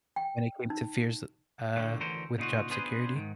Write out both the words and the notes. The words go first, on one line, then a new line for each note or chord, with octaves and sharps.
when it came to fears, uh, with job security?
G5
D#4
A2 D3
D2 D3 E3 C#4 A#4 C5
A#2 C#3 D#4 F4 F#4
B3 D4 F4 G#4 B4 C5
G#2 D#3